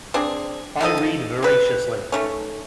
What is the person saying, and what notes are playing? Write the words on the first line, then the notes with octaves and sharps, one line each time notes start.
I read voraciously.
C4 D4 G#4
D#3 F3 A4 D#5
C4 B4
D#3 A3 C#4